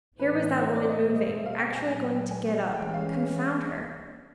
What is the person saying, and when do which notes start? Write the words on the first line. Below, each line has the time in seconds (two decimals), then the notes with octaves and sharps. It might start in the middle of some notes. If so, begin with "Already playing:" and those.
Here was that woman moving--actually going to get up--confound her!
0.19 A2 E3 A3 C4 B4
0.61 C#5
0.75 D5
0.89 D#5
1.03 B2 G3 C4 E5
1.16 D#5
1.28 E5
1.46 F5
1.60 G5
1.75 G#5
1.88 A#2 F#3 A#3 G#5
2.03 G5
2.16 G5
2.31 G#5
2.73 E3 G#3 C#4 G5
2.94 F5